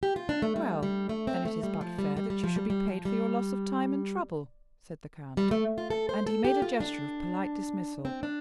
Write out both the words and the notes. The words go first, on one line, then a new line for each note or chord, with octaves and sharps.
"Well, then, it is but fair that you should be paid for your loss of time and trouble," said the count; and he made a gesture of polite dismissal.
G4
F4
D4
A3
G3
G3
A3
C4
A3
G3
F3
G3
G3
G3
F3
G3
G3
F3
G3
G3
A3
F4
A4
C5
A4
G4
F4
D4
C4
D4